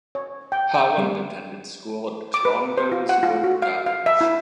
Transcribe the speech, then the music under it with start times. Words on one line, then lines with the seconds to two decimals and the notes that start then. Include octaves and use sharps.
Holland attended school at Clongowes Wood College.
0.15 C#5
0.52 G5
0.75 G5
0.98 G3
2.34 D6
2.45 B4
2.78 C5
2.92 F4
3.09 F#5
3.23 F4
3.44 F#4
3.62 F5
3.86 F5
4.06 E5
4.21 E4